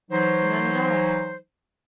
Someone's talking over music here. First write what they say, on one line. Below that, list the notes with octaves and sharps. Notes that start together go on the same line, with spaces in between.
"None at all."
E3 F#3 D#4 C5